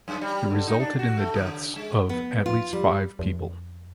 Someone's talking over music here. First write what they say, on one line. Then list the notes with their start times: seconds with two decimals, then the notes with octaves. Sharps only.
It resulted in the deaths of at least five people.
0.08 F#2
0.21 G3
0.50 D3
0.67 D#4
0.80 D4
0.99 F#4
1.17 A3
1.35 C#3
1.76 G#3
2.09 B3
2.46 F4
2.73 G3
3.19 F2